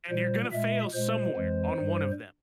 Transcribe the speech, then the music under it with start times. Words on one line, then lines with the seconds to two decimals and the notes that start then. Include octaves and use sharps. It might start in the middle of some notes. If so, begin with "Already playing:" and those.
And you're gonna fail somewhere on one of them.
0.09 A#2 G3 C5
0.51 A#2 G#3 E5
0.94 A#2 G#3 C5
1.36 F2 E3 G#3
1.78 G2 G3